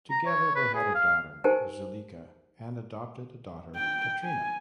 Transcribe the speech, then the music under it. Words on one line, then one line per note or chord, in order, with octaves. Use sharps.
Together they had a daughter, Zuleika, and adopted a daughter, Katrina.
A#5
C#5
B4
G#4
F5
D#4 G4 A#4 C5 G#5 A5
G5
G#5